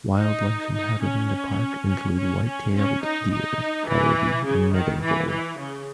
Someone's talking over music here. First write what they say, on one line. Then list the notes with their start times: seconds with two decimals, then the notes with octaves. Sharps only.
Wildlife inhabiting the park include white-tailed deer, coyote, and meadow vole.
0.17 D#4
0.74 D#4
1.02 C#4
1.88 C#4
2.17 C#4
2.45 C#4
2.74 C#4
3.03 D#4
3.31 D#4
3.87 E3
4.45 C#3
4.73 D#3
5.01 E3
5.30 E3
5.58 C#3